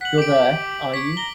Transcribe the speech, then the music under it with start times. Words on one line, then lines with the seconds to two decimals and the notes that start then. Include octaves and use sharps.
You're there, are you?
0.01 F#5 B6 F#7
0.18 G4 D6 D7
0.94 C#5 B6 D7
1.17 A#5 G7